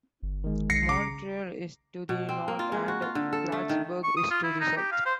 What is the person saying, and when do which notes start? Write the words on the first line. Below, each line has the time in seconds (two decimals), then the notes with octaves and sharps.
Montreal is to the north, and Plattsburgh is to the south.
0.23 G1
0.44 D#3 G#3
0.70 B1 A#6 C7 C#7
0.89 C#3 A#5 D6
2.09 B2
2.29 C4
2.48 A#3
2.59 F4
2.72 G#3
2.88 F#4
3.02 F4
3.15 D3
3.33 A4
3.52 A3
3.69 D#3
4.04 C#6
4.17 D#6
4.31 F4
4.44 E4
4.61 D#4
4.77 G4
4.92 F5
5.06 C5